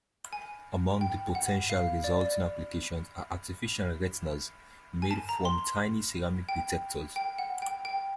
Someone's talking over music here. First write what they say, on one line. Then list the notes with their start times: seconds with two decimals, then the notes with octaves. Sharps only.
Among the potential resulting applications are artificial retinas made from tiny ceramic detectors.
0.33 G#5
1.01 G5
1.35 F#5
1.70 F5
2.04 D5
2.21 D5
5.02 G#5
5.11 A5
5.29 A#5
5.45 C6
6.49 G5
7.16 G5
7.39 F#5
7.62 G5
7.85 G5